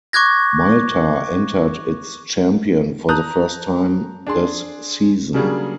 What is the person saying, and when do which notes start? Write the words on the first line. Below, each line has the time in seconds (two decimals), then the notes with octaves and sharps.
Malta entered its champion for the first time this season.
0.13 C#6 D6 F#6 G#6 A#6
3.09 A5 A#5 D#6 F#6 G6
4.27 D4 G#4 C6
5.34 C#3 F#3 G3 A#3 D4 G#4